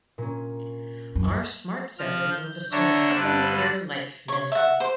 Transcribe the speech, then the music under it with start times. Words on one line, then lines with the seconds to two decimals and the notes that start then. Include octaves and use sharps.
Our smart setters live a sort of up-in-the-air life mentally.
0.18 A#2 A#3 C#4
1.15 F#2
1.98 F3 F6
2.31 G6
2.72 D3 D4 C#5 E5 A#5 G6
3.16 G2 D3 B4 D5 F#6
4.28 C#5
4.52 E5 F#5
4.80 C5